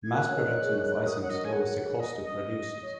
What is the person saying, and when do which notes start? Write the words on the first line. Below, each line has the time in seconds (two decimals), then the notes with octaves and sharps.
Mass production of items lowers the cost to produce it.
0.04 G#6
0.13 F#4 A#4 F#6
0.29 C#5
0.36 A#4 D#5
0.60 G#4 C#5
0.99 C#5
1.06 F#4 A#4 D#6
1.22 C#5 F#5
1.29 F#4 A#4 D#5
1.45 G#5
1.52 G#4 C#5 F#5
1.77 F#5
1.99 D#5
2.23 D#5
2.83 C#5